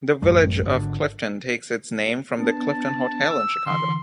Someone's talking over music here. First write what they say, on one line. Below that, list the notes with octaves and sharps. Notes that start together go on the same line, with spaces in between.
The village of Clifton takes its name from the Clifton Hotel in Chicago.
A1 F#2 G3 A3
G#1 D3
B3 D4 A5
E6
D3 E3 C6